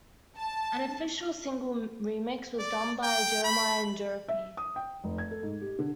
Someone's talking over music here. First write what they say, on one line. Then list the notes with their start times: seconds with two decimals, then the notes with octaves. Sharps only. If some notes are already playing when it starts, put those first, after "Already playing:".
An official single remix was done by Jermaine Dupri.
0.37 A5
2.59 D5
3.03 G5
3.44 B5
4.28 E5
4.57 D#6
4.76 G5
5.04 F1
5.18 G#6
5.31 A4
5.43 G#2
5.61 G4
5.79 D3